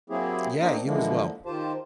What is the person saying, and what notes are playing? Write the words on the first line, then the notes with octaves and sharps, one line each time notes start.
Yeah, you as well.
F#3 A#3 C4 E4 G4 G#4
A#3 C4 D4 D#4
D3 E3 F3 G#3 A#3
D#3 F4 G4 C5 A5